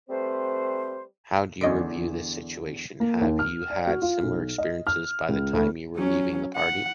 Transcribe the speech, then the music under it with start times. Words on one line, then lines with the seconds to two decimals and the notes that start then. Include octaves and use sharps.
How do you review this situation? Have you had similar experiences by the time you were leaving the party?
0.09 G3 A3 C4 B4 C5
1.61 E2 D3 C#4 D#5 D7
3.00 A#3
3.21 D#2
3.39 F6
3.70 D5
3.87 F#4
4.02 F4
4.23 B1
4.58 D#5
4.87 F6
5.29 C#2
5.53 D2
5.97 F#3 C#4
6.56 F#5